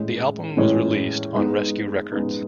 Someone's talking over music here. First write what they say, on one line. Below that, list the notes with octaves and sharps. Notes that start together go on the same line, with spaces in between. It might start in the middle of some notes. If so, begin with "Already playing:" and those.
The album was released on Rescue Records.
Already playing: A2 E3 G#3 C#4
A2 E3 G#3 C#4
G#3 B3 D#4
G#3 B3 D#4